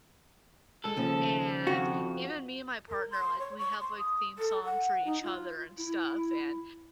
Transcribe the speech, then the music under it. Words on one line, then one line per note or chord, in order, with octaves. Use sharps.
and even me and my partner, like, we have, like, theme songs for each other and stuff and
G#3 A4
D#2 C#3 F3
F2 F#4
A#4
C6
C#5
C#6
C6
D#6
A4
F#5
D#4
F4
E4